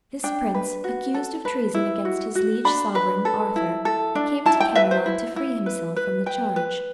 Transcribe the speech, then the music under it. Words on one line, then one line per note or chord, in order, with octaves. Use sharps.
This prince, accused of treason against his liege sovereign, Arthur, came to Camelot to free himself from the charge.
D4 G5
B4
F#4
A4
B4
E4
F#4
F#4
D4 B5
B4
A4
E4
A4
D4
E4 A5
G5
B4 E5
C5
E4
E4
B4
B4
B4 G5
B4